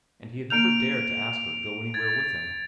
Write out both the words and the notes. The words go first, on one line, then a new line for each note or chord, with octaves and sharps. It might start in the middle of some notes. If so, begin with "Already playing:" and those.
And he had never dared to ask her to go anywhere with him.
A#3 F6 G6 D7 F7
G#6 A6